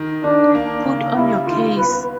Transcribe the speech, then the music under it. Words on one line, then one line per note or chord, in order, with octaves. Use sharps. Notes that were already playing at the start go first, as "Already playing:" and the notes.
Put on your case.
Already playing: D#3
D#3 D4
A#3
C#3
G3 E4
D#3 F4
B3 B4